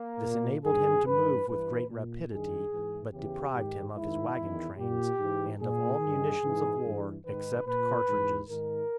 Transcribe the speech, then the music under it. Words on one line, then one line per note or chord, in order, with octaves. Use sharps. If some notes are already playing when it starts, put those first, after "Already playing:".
This enabled him to move with great rapidity, but deprived him of his wagon trains, and of all munitions of war except cartridges.
Already playing: A#3
A#2
G2 D#3 G#4
G2 E3 B4
G2 E3 B4
A#2
G2 D#3 G#4
G#2 E3
E2 C#3 E3 G4
G#2 D#3
G#2 D#3 E4
E2 D#3
A#2 G4
G#2 E3
A#2 G#4
G2 D#3
G#2 E3
G2 E3
G#2 D#3 B4
A#2 B4
G#2 E3
G#2 D#3 A#4